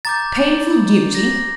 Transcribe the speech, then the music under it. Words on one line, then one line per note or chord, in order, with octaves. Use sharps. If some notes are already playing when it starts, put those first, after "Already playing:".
"Painful duty!"
A#5 D6 G6 A6
A#6